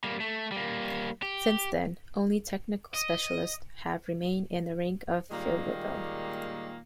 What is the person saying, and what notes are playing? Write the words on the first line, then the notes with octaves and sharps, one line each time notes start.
Since then, only technical specialists have remained in the rank of "Feldweibel".
G3 A#3
A3
G3 A#3
G4
D#5
A#2 D#3 G3 G#3 A#3